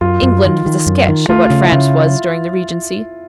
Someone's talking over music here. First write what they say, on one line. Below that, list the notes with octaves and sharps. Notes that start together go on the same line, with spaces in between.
England was a sketch of what France was during the regency.
F#2 F4
F#2
D#3
D#3
F#2
D#3
A3 F4
C#3 F4
E4
C#3